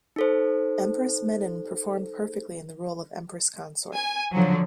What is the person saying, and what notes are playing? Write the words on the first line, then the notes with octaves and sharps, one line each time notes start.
Empress Menen performed perfectly in the role of Empress-consort.
D#4 A4 C5
G#5
D3 F3 F#3